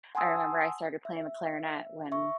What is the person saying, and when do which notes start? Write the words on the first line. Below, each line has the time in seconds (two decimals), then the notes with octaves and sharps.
I remember I started playing the clarinet when
0.15 F#5 G#5 A5 C6 D#6 E6
1.05 E5
2.12 E5 C#6